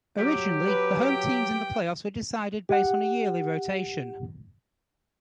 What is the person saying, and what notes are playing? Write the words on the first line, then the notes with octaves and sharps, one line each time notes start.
Originally, the home teams in the playoffs were decided based on a yearly rotation.
F#3 G4
B4
G5
G4 F#5